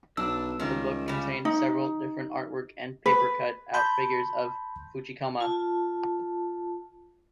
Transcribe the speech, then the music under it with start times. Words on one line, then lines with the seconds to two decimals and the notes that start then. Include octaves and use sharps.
The book contains several different artwork and paper cut out figures of the Fuchikoma.
0.17 B1 D4 E6
0.60 C#2 D#3 G3
1.08 C#3 G3
1.45 D#4
3.06 B4
3.74 A5 B5 C6 G6
5.41 F4 A5